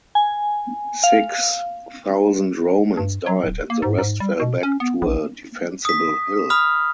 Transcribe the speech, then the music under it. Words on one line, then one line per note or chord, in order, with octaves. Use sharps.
Six thousand Romans died and the rest fell back to a defensible hill.
G#5
F5
G2
F#3
D1
A#3
G#2
G#2
G3
B2
C#4
B3
A#1
D#6 B6
B5 D#6 F6